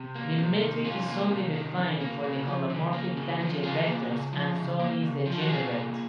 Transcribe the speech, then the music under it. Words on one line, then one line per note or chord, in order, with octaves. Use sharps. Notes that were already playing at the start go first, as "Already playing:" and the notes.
The metric is only defined for the holomorphic tangent vectors and so is degenerate.
Already playing: C3
A#3
C3
D#3
C3 C#4 F4
A#3
C3
D#3
C#3
A#3
C#3
F3
C#3
A#3
C#3
F3
C#3 F4 G#4
A#3
C#3
F3
C#3
A#3
C#3
F3
F4
F#4
C3 F4 G#4
A#3